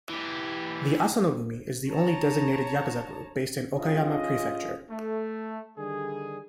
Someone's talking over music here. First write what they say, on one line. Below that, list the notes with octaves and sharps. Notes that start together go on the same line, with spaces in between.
The Asano-gumi is the only designated yakuza group based in Okayama Prefecture.
E3 G4
C#5 A5 A#5
C#4 F4 G#4 D#5
A3
D3 D#3 G3 G#4